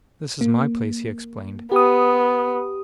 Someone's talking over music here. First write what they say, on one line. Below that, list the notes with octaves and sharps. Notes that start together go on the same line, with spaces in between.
"This is my place," he explained.
A#3
B3 G4 D#6